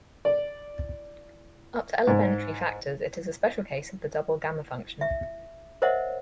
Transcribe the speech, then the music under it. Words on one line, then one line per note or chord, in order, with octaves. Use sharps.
Up to elementary factors, it is a special case of the double gamma function.
D5
G#2
E5
A#4 C5 C#5 D#5 E5 F#5